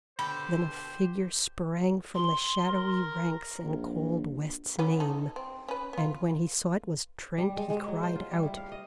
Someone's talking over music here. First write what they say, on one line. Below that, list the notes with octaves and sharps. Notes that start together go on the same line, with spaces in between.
Then a figure sprang from the shadowy ranks and called West's name, and when he saw it was Trent he cried out.
B2 D3 G4 C5 B5
C6
A#4
A#1
E3 B3 C#4
D#4 A4
C4
C#4 B4
B3 F4
G3
G#3
G#3
F#3
C5
F4
G3
E4
F5
D#5